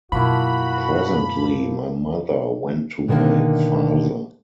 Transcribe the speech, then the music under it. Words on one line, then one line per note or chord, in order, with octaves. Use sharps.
Presently my mother went to my father.
F#2 B2 F3 A#3 E4 F#4 B5
B2 D3 D#3 G3 A#3